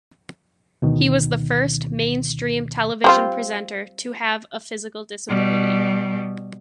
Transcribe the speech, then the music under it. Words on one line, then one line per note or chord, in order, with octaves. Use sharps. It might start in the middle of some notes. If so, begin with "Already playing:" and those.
He was the first mainstream television presenter to have a physical disability.
D2 B2 D#3
G3 C4 F4
B2 G3